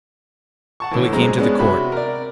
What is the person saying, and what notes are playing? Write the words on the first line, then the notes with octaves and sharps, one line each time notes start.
So he came to the court ...
F#5 A5 C#6
A2 D3 E3
F#2 G#3 C4 A#5
G#3 B3 C#4 D4
C3 F#4 E5 B5
A#4 D5